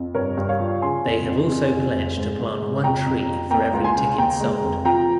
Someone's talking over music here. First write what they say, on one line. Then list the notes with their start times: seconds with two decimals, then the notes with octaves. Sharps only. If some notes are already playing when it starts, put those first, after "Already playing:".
They have also pledged to plant one tree for every ticket sold.
Already playing: F2
0.15 G2 A#4 C#5
0.37 G2
0.49 C#5 F5
0.60 F3
0.82 C#3 G#5 C6
1.05 F2
1.27 F2
1.49 F2
1.72 F2
1.94 F1
2.17 G#2
2.39 G#2
2.61 G#2
2.84 F2 G5 A#5
3.06 F2
3.29 F2
3.51 A#3 G5 A#5
3.73 C#2
3.84 G#5 C6
3.95 C#3
4.18 D#2 G5 A#5
4.40 G#3
4.63 F1
4.85 F3 G5 A#5